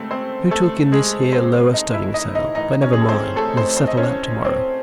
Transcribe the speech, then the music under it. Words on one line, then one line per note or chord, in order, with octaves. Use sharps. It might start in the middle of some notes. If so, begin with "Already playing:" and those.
Who took in this here lower studding-sail?--But, never mind, we'll settle that to-morrow.
Already playing: C#3 G#3 A3 C4 A4 C5
C4 C5
A3 A4
G#3 G#4
C4 C5
D#4 D#5
E4 E5
D#4 D#5
D#4 D#5
A2 E3 D#4 D#5
C#4 C#5
G#4
A4
C4 C5
A3 A4
C4 C5
C4 C5
D#5
C#4 C#5
C4 C5